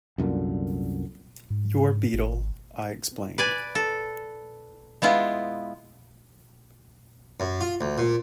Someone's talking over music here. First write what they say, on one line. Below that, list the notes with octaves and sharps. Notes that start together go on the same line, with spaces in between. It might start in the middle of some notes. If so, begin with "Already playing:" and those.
"Your beetle," I explained.
C2 F#2 A#2 D3
G#2
G#1
B4 D5 G#5
A4
G#3 B3 E4 F4
F#2
F4
D2
A#2